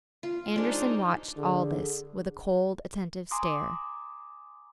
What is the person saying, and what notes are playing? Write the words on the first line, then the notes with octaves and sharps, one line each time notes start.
Andersen watched all this with a cold, attentive stare.
F4
G#3 D4 D#4 C5
D3 G#4
G#5 A#5 C6 D6 D#6